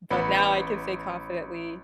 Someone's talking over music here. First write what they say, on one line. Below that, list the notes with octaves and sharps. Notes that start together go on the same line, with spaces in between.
but now I can say confidently
A1 B3 B5